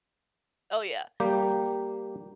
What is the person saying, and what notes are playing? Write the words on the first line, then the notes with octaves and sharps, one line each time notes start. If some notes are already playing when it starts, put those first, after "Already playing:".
Oh yeah, s s
G3 A#3 G4